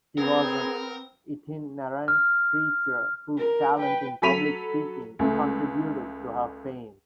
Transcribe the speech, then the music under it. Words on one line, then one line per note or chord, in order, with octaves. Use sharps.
She was an itinerant preacher whose talent in public speaking contributed to her fame.
B3 C4 G#4 A#4
F6
A#4
B4 G5
F#3 A4 B5 B6 D#7 F7
C#2 A3